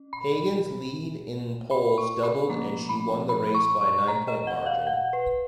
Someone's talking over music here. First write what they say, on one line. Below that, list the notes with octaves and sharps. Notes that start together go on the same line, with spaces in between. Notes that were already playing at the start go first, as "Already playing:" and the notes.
Hagan's lead in polls doubled and she won the race by a nine-point margin.
Already playing: C#4
B5
B5
C#6
B5
F3 A#3 C#4 A#5
B5
B5
C#6
C#6
A#5
D#5
F#5
F5
F#5
B4